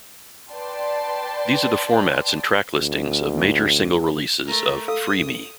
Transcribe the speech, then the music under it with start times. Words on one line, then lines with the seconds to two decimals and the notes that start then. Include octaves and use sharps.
These are the formats and track listings of major single releases of "Free Me".
0.51 B4 D5 G5 A5 C6
2.80 D2
4.46 A3 A#4
4.88 A4 F5 D#6 E6